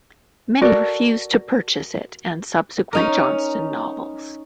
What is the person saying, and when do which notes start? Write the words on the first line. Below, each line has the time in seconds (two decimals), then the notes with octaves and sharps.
Many refused to purchase it and subsequent Johnston novels.
0.62 F#4 A4 A#4 D5
2.93 C#4 D#4 A#4